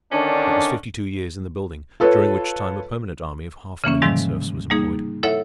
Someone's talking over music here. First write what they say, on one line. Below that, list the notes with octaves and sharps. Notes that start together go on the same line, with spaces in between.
It was fifty-two years in the building, during which time a permanent army of half a million serfs was employed.
D3 D#3 C#4 D4
F4 A4 B4 C#5
C#3 E3 A#3 C#4
G#2 C3 D#3 F3 G3 G#3
G3 A#3 D#4 G#4
E4 A4 C#5 E5 F#5